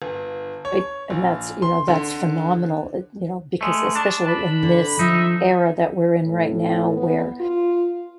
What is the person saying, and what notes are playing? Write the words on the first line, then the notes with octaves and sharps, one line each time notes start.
Eh and that's you know, that's phenomenal, eh, you know, because especially in this era that we're in right now, where
G1
C#5
A#1
C6
D3
G#3 A3
D4 A5
B5
D3
F3 D#4 E5
A2
B3
F4